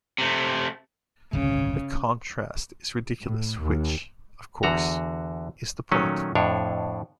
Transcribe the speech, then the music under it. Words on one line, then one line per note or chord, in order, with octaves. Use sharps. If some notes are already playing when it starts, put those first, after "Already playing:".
The contrast is ridiculous which, of course, is the point.
C3 A3
D1 G1 C2 C#3
A2
D#2
E2 D3 F#4 A#5
A#2 D#3 F#3 A3 C#4
F2 A2 D4 C#5